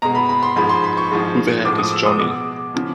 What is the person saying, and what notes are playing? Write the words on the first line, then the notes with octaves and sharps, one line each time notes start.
Who the heck is Johnny?!
B2 G#3 A#5
B5
B5
C6
G#2 F3 G#3 B5
C6
B5
C#6
G#2 F3 G#3
A2 F3 G#3 D6
D#6
E6
D#6
B2 G#3 D6
C#3 F3